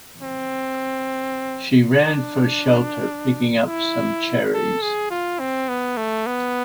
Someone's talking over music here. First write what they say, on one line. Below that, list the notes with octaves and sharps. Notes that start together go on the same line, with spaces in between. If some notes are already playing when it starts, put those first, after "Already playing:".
She ran for shelter, picking up some cherries.
C4
D4
E4
A4
G#4
F4
C4
B3
A3
B3